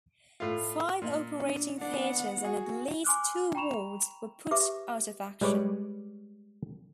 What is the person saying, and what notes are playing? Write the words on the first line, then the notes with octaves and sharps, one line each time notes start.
Five operating theatres and at least two wards were put out of action.
A2 F4
A#2
D4
B3 D4 F#5
F#4 G#4
G#5 C6 D6 F6 F#6
G5 A#5 B5 C#6 E7 F7
G4 B4 E5 D6
G3 G#3 B4 C#5 D5